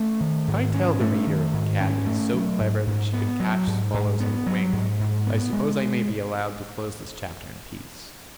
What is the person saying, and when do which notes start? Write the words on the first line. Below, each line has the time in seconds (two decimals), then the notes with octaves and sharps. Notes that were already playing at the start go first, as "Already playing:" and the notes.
If I tell the reader of a cat that is so clever that she can catch swallows on the wing, I suppose I may be allowed to close this chapter in peace.
Already playing: A3 C#4
0.20 D#3
0.48 G#2
0.74 C#4
1.00 A3
1.27 D#3
1.54 G#2
1.80 C#4
2.07 A3
2.34 F#3
2.60 G#2
2.87 G#2
3.13 B3
3.40 F#3
3.67 G#2
3.94 G#2
4.20 B3
4.46 F#3
4.73 G#2
5.00 G#2
5.27 B3
5.53 G#3